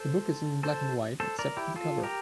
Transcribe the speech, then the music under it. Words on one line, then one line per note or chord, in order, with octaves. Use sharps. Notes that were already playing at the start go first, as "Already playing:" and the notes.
The book is in black and white except for the cover.
Already playing: A4 C5
A4 C5
A4 C5
A#4 D5
E4 G4
F4 A4
G4 A#4